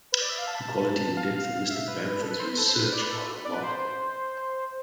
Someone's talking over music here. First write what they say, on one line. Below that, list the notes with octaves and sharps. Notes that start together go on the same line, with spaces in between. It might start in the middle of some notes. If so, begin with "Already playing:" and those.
The quality and depth of Mr. Bamford's research are remarkable.
B4
D5
E5
F5
A5
B5
A5
F5
F5
E5
B4
A4
B4
C5
B4
A4
C5
B4
D5
B4
A4
B4
D5
B4
C5